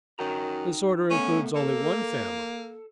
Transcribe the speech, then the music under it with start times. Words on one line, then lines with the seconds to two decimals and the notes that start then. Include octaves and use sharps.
This order includes only one family.
0.19 F#2 D#4 G5 A#5
1.10 A3 B3 C#4
1.55 A#3 A4